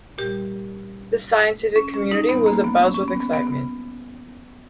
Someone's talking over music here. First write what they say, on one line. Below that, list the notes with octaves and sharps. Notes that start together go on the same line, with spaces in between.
The scientific community was abuzz with excitement.
A#2 G3 G4
C#4
C#4
D#4
A#2 G3 B3
A#3
B3
C#4
C#4
B3
B3
B3
B3